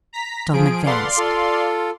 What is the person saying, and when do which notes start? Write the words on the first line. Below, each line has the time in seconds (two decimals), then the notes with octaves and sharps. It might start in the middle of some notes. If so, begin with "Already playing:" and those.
Tom advanced.
0.13 A#5 B6
0.53 F3 G#4 D7
0.86 A4 B4 D5 F5 F#5 C6
1.18 F4 A4